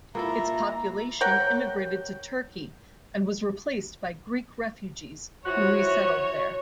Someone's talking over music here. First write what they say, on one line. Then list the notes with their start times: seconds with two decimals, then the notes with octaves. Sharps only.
Its population emigrated to Turkey and was replaced by Greek refugees who resettled there.
0.15 A#3 B3 E4 F4 A4 A#5
1.21 A#4 C#5 F#5 G5
5.46 F3 E4 F#4 C#5